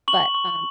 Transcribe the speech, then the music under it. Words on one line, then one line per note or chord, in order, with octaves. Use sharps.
but, um
C#6 F#7
C#6